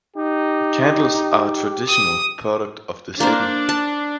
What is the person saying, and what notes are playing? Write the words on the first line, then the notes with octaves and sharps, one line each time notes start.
Candles are a traditional product of the city.
D#4 G4
D#6
A#3 D4 C5
A5